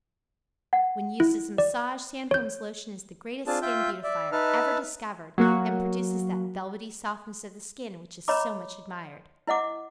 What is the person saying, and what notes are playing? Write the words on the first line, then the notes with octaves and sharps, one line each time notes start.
When used as a massage, Sandholm's Lotion is the greatest skin beautifier ever discovered, and produces that velvety softness of the skin which is so much admired.
F#5
E4
D5
C#5 G6
C4 D4 F4 G#4 A5
F4 E5 G5 G6
D5 E5
D#4 B4 E5 A5 F6
F#3 A#3 F#4
C#5 D#5 A#5 B5 D6
E4 D#5 F#5 D6